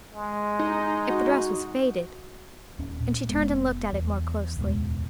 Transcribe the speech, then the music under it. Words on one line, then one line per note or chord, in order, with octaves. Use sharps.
If the dress was faded--and she turned and looked at it more closely.
G#3
D#4
F#4
D#1 C#4
A#2
F1 G#3 B3
E2
D1 E2 B2 G#3